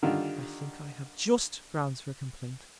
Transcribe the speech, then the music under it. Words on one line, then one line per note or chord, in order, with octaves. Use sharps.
I think I have just Grounds for Complaint.
D3 D#3 G3 F4